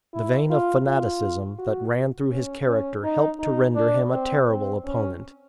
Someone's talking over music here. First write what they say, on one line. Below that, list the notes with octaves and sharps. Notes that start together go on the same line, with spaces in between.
The vein of fanaticism that ran through his character helped to render him a terrible opponent.
E4
F4
F4
F#4
C#4
C#4
D#4
D#4
D4
C4
C4
C#4